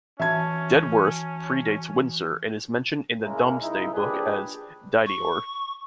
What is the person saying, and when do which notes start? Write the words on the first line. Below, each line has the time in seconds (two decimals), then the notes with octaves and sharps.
Dedworth predates Windsor and is mentioned in the Domesday Book as "Dideorde".
0.19 E3 C#4 F#4 E5 A5 G#6
3.24 C#3 G#3 A#3 E4 A#4
3.62 C#2 D#4 E4
3.94 A#1 D4 G4 G#4 B4
5.06 C#6